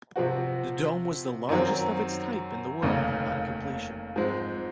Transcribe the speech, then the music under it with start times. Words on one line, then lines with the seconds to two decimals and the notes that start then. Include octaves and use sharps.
The dome was the largest of its type in the world on completion.
0.16 C3 F3 C4 F#4
1.49 F#2 D#3 F#3 C4
2.82 F1 D#2 C#3
4.16 G#2 F3 G#3 C4